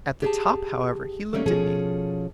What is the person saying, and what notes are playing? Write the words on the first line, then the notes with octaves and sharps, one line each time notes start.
At the top, however, he looked at me.
G4 G#4 A5
D#3 G3 A3 A#3 C#4
B2 F3 C#4 G#4 A4